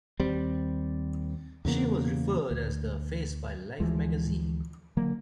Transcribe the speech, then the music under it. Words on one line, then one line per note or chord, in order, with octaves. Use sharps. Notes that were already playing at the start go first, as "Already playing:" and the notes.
She was referred to as The Face by "Life Magazine".
D#2 G3 C4
E2 C#3 A#3 B3
D2
D2 E3 F3 G#3
D3 F#3 A#3